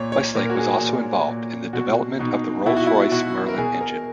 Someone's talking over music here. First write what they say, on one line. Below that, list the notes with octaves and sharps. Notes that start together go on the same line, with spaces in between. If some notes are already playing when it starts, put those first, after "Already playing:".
Weslake was also involved in the development of the Rolls-Royce Merlin engine.
Already playing: A#2 C#5
C#5
A#2 A#4
F#4
G#4
A#2
A#2
B2 F#4
B2 D#4
B2 E4
F#4
E4
B2 F#4
A#4
B2 G#4
A#4